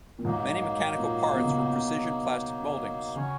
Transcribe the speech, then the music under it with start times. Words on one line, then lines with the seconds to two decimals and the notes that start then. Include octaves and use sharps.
Many mechanical parts were precision plastic moldings.
0.19 A#2
0.25 G#2 F#3 A#3 D#4
0.98 A#2
1.33 B2
1.43 C#3
1.53 B2
3.15 C#3 C#4 F#4 C#5